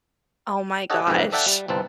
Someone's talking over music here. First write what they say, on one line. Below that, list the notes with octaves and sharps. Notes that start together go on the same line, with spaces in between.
Oh my gosh.
F#4 G4 A4 C#5 D#5 F#5
F2 G#2 C3 A#3 G4 B4
A4 D5 E5 F#5 G5 A5
G3
G1 C2 C4 B4 A5